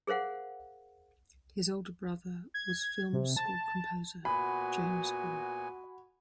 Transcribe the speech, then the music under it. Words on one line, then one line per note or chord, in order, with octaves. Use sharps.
His older brother was film score composer James Horner.
G#4 A#4 C5 F5 F#5
G#6
C3
A5
A#2 B3 F#4 G#5 B5